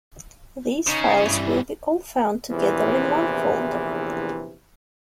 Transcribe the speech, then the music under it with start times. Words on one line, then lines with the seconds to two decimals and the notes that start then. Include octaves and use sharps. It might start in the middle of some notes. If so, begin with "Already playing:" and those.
These files will be all found together in one folder.
0.87 C#3 C#4 D#4 C5
1.22 G2 E3 G3 E4
2.49 A#1 E2 C3 E3